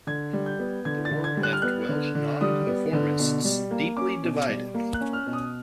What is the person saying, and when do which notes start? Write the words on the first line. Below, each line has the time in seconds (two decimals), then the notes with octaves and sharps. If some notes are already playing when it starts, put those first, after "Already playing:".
The war left Welsh non-conformists deeply divided.
0.07 D3 G#6
0.33 G3
0.46 G6
0.59 B3
0.85 D3 G#6
1.05 A6
1.11 D3
1.24 G#6
1.37 G3
1.43 F#6
1.53 F6
1.62 B3 F#6
1.89 D3
2.15 D3
2.41 G3 D#6
2.67 B3
2.93 D3
3.19 B2
3.45 G3
3.71 A#3
3.97 C#4 D6
4.23 B2
4.49 G3
4.74 A#3
4.94 F#6
5.01 C#4
5.13 F6
5.26 B2
5.33 D#6